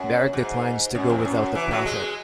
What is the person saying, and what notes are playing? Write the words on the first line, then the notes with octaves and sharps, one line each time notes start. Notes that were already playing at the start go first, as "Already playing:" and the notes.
Barak declines to go without the prophet.
Already playing: F#2
G#2
F#2
E2
F#2
E3
F#3
G#3